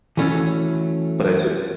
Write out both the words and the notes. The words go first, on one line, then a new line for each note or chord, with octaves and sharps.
but I took
E3 F#3 A3 C#4